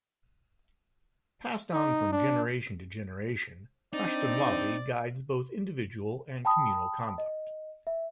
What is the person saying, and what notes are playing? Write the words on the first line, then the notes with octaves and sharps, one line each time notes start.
Passed on from generation to generation, Pashtunwali guides both individual and communal conduct.
D#4
D4
C4 D4 D#4 D5
G5 A5 B5 D#6
D#5
E5